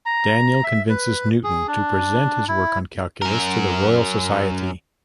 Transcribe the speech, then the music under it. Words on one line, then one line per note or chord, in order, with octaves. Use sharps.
Daniel convinces Newton to present his work on calculus to the Royal Society.
A#5
E5
B4
G#4
D4
E4
F#2 A#4